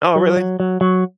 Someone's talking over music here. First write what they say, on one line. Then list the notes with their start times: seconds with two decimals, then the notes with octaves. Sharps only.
Oh, really?
0.16 F#3
0.37 F#3
0.60 F#3
0.81 F#3